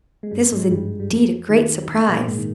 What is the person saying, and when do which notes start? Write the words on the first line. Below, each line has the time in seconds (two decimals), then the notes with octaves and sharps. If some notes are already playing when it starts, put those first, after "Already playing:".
This was indeed a great surprise.
0.23 G#3
0.31 G2 G3
0.51 G#2 G#3
0.64 F3
0.71 G2 G3
1.00 G3
1.10 F2 F3
1.50 D#3
1.88 D#3
2.08 A#2 A#3
2.27 G#2 G#3
2.38 D#3